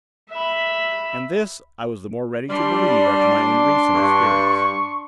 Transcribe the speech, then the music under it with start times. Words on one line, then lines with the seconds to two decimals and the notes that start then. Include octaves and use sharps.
And this, I was the more ready to believe after my own recent experience.
0.31 E5 B5
2.50 G3 D4 C6
3.94 G2 C#6